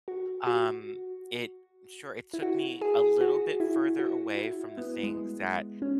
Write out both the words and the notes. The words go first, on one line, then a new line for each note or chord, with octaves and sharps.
um, it sure it took me a little bit further away from the things that,
F#4
F#4
E4
F#4
G#4
F#4
E4
F#4
E4
B3
G#3
C#4